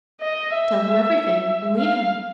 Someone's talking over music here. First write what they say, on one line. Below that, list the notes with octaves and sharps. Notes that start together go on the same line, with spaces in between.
"Tell him everything, and leave him."
D#5
E5
F5